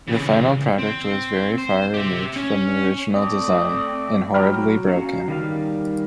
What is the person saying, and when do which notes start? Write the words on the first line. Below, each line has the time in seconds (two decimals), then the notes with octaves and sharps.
The final product was very far removed from our original design, and horribly broken.
0.08 C#2 E3
0.79 C4
1.58 C5
1.94 G4 E5
2.36 C#4
3.15 A3 C4 D5 D#6
4.34 F#3 G5 A#5 B5 F6
4.87 C#4 F#4 F5 A#5
5.28 D#3 G3 F5